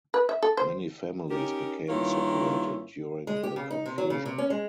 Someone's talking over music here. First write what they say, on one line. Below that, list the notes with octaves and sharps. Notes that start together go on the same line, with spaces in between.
Many families became separated during the confusion.
B4
E5
A4
C5
C#4 D#4 G4 A#4
G2 D#3 A#3 C#4 E4 F4
G#3
G4
C#3
D#4
C3
F#3
C#3
C3
C#4
G#3